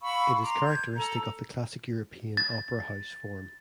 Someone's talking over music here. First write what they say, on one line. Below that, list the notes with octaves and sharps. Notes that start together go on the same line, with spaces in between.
It is characteristic of the classic European opera house form.
F5 B5 C#6 E6
A#5 C6 D6
G6 G#6
A4 A#5
A6